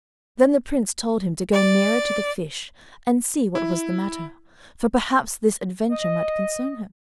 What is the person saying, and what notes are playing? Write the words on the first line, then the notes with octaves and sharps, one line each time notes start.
Then the Prince told him to go nearer to the fish, and see what was the matter, for perhaps this adventure might concern him.
D5
E4
D#5